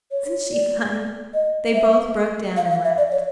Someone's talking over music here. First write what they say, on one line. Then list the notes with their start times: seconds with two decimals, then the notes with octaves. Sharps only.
"Isn't she funny?" They both broke down and laughed.
0.11 C#5
0.51 D5
1.34 D#5
1.74 E5
2.57 F5
2.71 F5
2.84 E5
2.98 D5
3.12 C#5